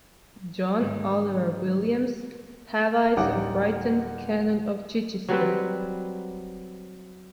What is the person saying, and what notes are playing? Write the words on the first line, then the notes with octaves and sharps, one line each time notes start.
John Oliver Willyams Haweis of Brighton, Canon of Chichester.
G#2 D3 D#3 G3 G#3
D1 G3 C#4 D#4 F#5 D6
F#3 G3 C4 B4